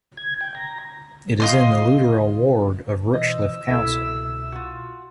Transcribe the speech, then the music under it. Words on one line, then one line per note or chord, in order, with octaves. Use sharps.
It is in the Lutterell ward of Rushchliffe Council.
G#6
G5
A#5
F4 D#5 C6
B2 E3 C5 D#5 E6
C2 B2 E4 A4 E5
F4 F#4